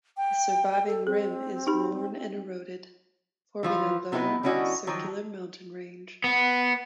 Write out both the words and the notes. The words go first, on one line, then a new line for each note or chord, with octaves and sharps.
The surviving rim is worn and eroded, forming a low, circular mountain range.
G5
A4
C4 G#4
D#4 G4 B5
E3 F3 F4
C3 B3 D#4 E4 G4 B4
D3 G3 C#4 E4 F#4 D#5
D#3 F3 F#3
B3